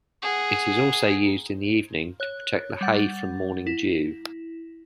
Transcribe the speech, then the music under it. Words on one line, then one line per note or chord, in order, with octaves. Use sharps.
It is also used in the evening to protect the hay from morning dew.
G#4 F#5
C#5 F#6
G3 F#5 A6
E4